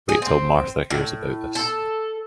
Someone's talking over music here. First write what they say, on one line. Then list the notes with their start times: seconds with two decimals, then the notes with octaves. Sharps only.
Wait till Martha hears about this.
0.09 G#4
0.22 C4
0.90 A2
1.55 A4